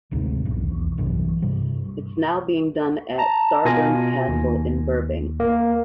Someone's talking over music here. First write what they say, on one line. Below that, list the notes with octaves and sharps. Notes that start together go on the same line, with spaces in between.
It's now being done at Starburns Castle in Burbank.
G#1 D2 G#2 C3
D#1 B1 E2
B1 G2 C3 E3
G2 C3 G3
A5 A#5
B2 F4 G#5 A#6
D#2
A#3